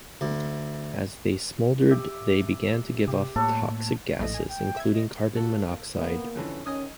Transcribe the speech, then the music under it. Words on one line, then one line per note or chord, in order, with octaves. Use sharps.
As they smouldered they began to give off toxic gases, including carbon monoxide.
D2
G4 E5
C3 G4
A2 A3 A#3 A4 C#5 F#5
A#1 A2 A3 D#5
G#5
G5
E5 G#6
D#5
A#3 F#4 A4
A#3 B3
F2 D3 E3 C#4
D#3 C#4 D#5 G#5 D#6